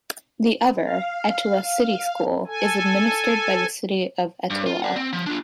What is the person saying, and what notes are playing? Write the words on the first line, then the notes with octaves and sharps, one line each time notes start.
The other, Etowah City School, is administered by the city of Etowah.
F5
A4 G#5
G2
F4
D5 F#5
C4
F3
D4 F4